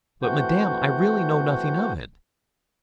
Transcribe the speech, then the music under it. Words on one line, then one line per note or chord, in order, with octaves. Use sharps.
'But, Madame, I really know nothing of it.
E3 A3 C4 F#4 F#5 G6